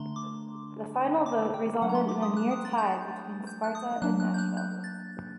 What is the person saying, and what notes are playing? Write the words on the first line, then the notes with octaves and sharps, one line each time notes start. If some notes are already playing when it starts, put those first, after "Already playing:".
The final vote resulted in a near tie between Sparta and Nashville.
Already playing: D3 A3 D4 A#5 C6
D6
D6
G5
F#3 A3 D4 F#5
A#5
C6
D6
D#6
F#6
D#6
A6
G6
G6
F#6
D#6
F#3 A#3 D4 F#6
F#6
G6
F#6
G6
A6